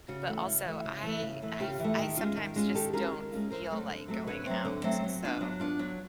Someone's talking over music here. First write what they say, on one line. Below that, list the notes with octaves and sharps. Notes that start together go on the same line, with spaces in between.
But also, I I f I sometimes just don't feel like going out, so.
C#3 F#4
E3 A3 C#4
C#3
E3 A3
C#3
E3 A3
C#3
E3 A3
C#3 F4 G4
E3 A3
D#3
G#3 C#4 F4
D#3
G#3 C#4 F4
D#3 G4 A4
G#3 C#4 F4 G#4 A#4
D#3
G#3 C#4 F4
D3 A#4 C5
F#3 A3 C4
D3
F#3 A3 C4
D3 B4 C#5
F#3 A3 C4
D3
F#3 A3 C4
F#3
B3 D4 F4
F#3
B3 D4 F4
F#3